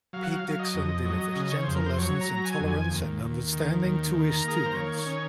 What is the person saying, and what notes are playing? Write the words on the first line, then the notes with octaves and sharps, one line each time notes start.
Pete Dixon delivers gentle lessons in tolerance and understanding to his students.
F#3 F5
F#5
F5
F#3
F5
D#5
F2
F#3 D#5
C#3
C#5
F2 C5
A#4
C5
F#3 C#5
A#5
F#3
G#5
F2
G#5
D#2
D#2
D#3
D#2
D#3
A#5
A#3 G#4
A#4
C5
D#3 C#5
C#5
C#4